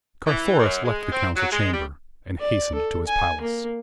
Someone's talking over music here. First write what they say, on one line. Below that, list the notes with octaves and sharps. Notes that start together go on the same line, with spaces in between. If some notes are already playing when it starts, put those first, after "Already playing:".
Carthoris left the council chamber, and hastened to his palace.
E3
F#2
G#3
C4
F#3
G#3
G3
D5
A4
G#5
A#3